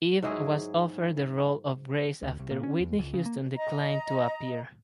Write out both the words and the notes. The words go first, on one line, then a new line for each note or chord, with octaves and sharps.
Eve was offered the role of Grace after Whitney Houston declined to appear.
G#2 F#3 E4 G#4
D2
C2
A#2
C#4
E2
C#2
C#3
A#3
D#5 A#5